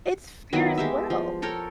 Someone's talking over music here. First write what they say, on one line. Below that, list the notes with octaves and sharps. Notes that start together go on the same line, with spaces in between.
It's fear as well.
D#3 F#3 B3 E4
G#3 G4 E5
F3
A4 A#4 C#5 G5